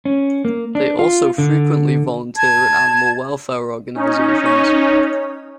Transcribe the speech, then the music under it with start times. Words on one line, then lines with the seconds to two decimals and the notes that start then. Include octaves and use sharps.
They also frequently volunteer at animal welfare organizations.
0.05 C#4
0.45 A#3
0.75 D4
0.99 F4
1.38 D3
2.36 A5 G#6
3.95 C#4 D#4
4.46 C#5